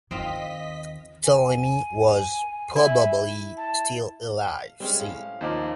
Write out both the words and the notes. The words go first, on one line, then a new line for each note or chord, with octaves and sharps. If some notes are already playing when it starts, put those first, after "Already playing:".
Ptolemy was probably still alive "c".
D#2 D#3 C4 F4 D#5 B6
G#5
E4
A5
F5
G3 G#3 C4 C#4
A2 C#4 F5
D#2 F3 C#4 D#4 C5 D6